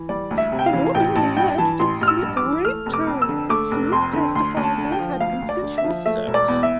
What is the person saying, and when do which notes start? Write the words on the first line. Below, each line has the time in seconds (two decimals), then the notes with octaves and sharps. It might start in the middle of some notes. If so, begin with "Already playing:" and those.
The woman alleged that Smith raped her; Smith testified that they had consensual sex.
Already playing: E3
0.09 G3 D5
0.31 D2
0.38 E5
0.52 C3
0.59 G5
0.66 F5
0.73 E3
0.94 A1 G5
1.16 A1 A5
1.37 G2 G5
1.58 E3 A5
1.79 A1 C6
2.01 A1 F6
2.08 E6
2.22 G2
2.37 D6
2.44 E3
2.65 A3 F6
2.86 F1
2.94 D6
3.07 F2
3.22 E6
3.29 D3
3.49 A3 D6
3.71 F1
3.92 F2 C6
4.13 D3
4.35 D2 C6
4.57 D2
4.63 A5
4.78 D3
4.92 G5
4.99 F3
5.20 D2 F5
5.42 D2
5.49 D5
5.62 D3
5.78 E5
5.84 F3
6.06 A3 E5
6.27 E1
6.34 D5
6.48 E2
6.63 E5